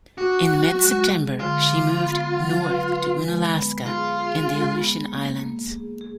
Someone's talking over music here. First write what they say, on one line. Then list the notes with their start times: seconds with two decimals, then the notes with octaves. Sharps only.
In mid-September, she moved north to Unalaska in the Aleutian Islands.
0.17 D4 F#4
0.48 F#3
0.80 G#3
1.09 G#4
1.40 D3 F4
1.71 D4
2.02 B3
2.33 F#3
2.63 B4
2.94 B4
3.25 G#3
3.55 B3
3.86 F4 G#4
4.17 G#4
4.47 G#3
4.78 B3
5.08 A#3
5.40 A#3
5.70 G#4
6.01 G#4